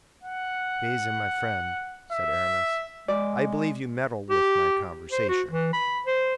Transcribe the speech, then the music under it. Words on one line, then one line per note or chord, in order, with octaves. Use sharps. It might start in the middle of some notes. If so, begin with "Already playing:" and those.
"Bazin, my friend," said Aramis, "I believe you meddle with my conversation."
F#5
E5
G#3 D5
G4
C5
F#4
E3
B5
C5